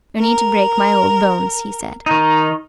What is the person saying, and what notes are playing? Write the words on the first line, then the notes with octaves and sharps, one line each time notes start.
"No need to break my old bones," he said.
A#4
D#3 D#4